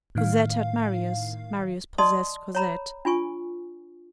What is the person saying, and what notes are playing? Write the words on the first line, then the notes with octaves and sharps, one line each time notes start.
Cosette had Marius, Marius possessed Cosette.
A2 D#3 F5
D5 D#5 A5 C6 D#6
C#5 A#5 B5
D4 F4 G#5 C#6